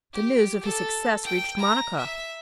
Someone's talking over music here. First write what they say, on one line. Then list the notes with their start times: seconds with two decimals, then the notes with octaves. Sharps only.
The news of his success reached Monica.
0.13 G4
0.63 A4
1.24 G5
1.59 A#5
1.96 E5